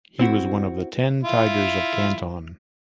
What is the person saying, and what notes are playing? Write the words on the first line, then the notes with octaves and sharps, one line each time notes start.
He was one of the Ten Tigers of Canton.
C4 E4 F#4
E4 F4